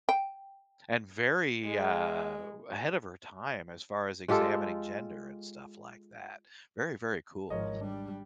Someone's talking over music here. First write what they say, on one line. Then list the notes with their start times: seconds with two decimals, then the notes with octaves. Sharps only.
and very, uh, ahead of her time as far as examining gender and stuff like that, very, very cool.
0.09 G5
1.65 G#3
4.28 G#3 F4 G4 A4
7.50 G#1 F3 A#4 C#5 D#5
7.81 G3 D4